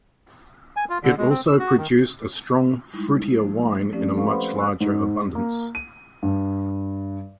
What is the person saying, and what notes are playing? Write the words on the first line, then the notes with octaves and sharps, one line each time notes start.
It also produced a strong, fruitier wine in a much larger abundance.
G#5
F4
D3
G#3
C4
E6
F#4
D#3
G3 G#3 D#4 E4
F3 A3
F3 A3 C4 C#4 G4 D5
A4 B4 F5 C#6
B4 C5 F#5 B5 C6
G#5 A#5 E6 F#6
G#2
A#3
D#7
G2